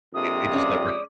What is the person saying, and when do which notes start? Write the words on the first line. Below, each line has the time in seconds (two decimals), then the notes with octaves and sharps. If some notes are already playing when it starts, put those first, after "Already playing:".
It it just never ha
0.14 A#1 F2 C3 D#6
0.51 G#3 C#4 D5